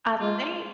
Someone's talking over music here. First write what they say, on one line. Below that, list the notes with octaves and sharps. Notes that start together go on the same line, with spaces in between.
I think
G#3 F4